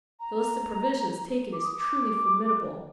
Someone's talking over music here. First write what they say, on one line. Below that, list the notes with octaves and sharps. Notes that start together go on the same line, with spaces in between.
The list of provisions taken is truly formidable.
A#5
D6
D#6
D6